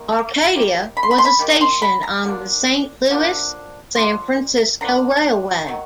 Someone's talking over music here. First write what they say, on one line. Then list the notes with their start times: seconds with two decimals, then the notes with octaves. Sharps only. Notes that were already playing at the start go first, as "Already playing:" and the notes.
Arcadia was a station on the Saint Louis-San Francisco Railway.
Already playing: D#3 A#3
0.53 D#3 G3 A#3
0.97 B5
1.03 C6
1.11 B5
1.18 C6
1.25 B5
1.39 D#3 G3 A#3
1.61 C6
1.82 B5
2.03 A#5
2.24 D3 F3 A#3 D4
3.10 D3 F3 A#3 D4
3.95 D3 F3 A#3 D4 C6
4.81 D3 F3 A#3 D4 A#5
5.67 D#3 F#3